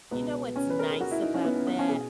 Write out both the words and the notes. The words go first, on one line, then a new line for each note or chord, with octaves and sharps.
you know, what's nice about that?
C#2 B2 B3
C#4
B4
A#4
G#4
F#4
E4
D#4
C#4
B3
C#4
B3
C#4
B2 G#4